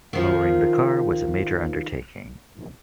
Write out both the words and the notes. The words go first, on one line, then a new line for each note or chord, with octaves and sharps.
Lowering the car was a major undertaking.
D#3 F3